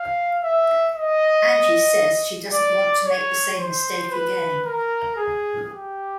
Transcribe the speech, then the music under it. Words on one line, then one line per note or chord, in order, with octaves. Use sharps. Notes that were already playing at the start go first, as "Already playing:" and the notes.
Angie says she doesn't want to make the same mistake again.
Already playing: F5
E5
D#5
D5
C#5
C5
B4
A#4
G#4
G4